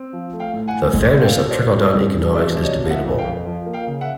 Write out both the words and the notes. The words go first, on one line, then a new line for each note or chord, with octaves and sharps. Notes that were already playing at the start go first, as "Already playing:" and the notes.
The fairness of trickle-down economics is debatable.
Already playing: C4
F3
A3
F5 G5
A2
F#5 G#5
A2
G#3
B3
F5 G5
B2
C#5
C5 D5
B2
G3 C#5 D#5
C4
B2
D5 E5
B2
D5
C3 C#5 D#5
F3
E5 F#5
F2
F5 G5
F2
F3
A#3
F5 G5
C#3
E5 F#5